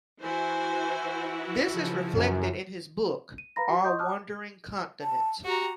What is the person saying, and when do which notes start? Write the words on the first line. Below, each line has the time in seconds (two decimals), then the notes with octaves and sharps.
This is reflected in his book "Our Wandering Continents".
0.21 E3 E4 F#4 C5 G#5
1.68 C#3 F3
2.17 F#2
3.38 D#7
3.56 B4 F5 A#5 B5 A#6
3.69 F#4
3.85 D#5 F#5 C6 C#6 D#6 G6
3.99 A5 D6 D#6 F6 F#6
5.02 A5
5.44 F#4 G4 A#5